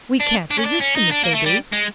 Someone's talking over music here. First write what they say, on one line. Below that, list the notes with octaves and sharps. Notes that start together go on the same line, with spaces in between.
We can't resist them, if they do.
D4
D4
C#4
D4
C#4
D#4
D4
A#3
A3
G3
G#3